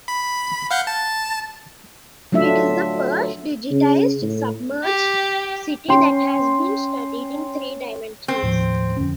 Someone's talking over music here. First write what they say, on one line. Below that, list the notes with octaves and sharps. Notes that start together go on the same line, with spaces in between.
It is the first digitized submerged city that has been studied in three dimensions.
B5
F5 F#5 G6
A5
F#3 A3 D4 F4 E5
C#3
A2
G4
C#4 G5 C6
C4
D#2 A2 F3
F2 D3 C#4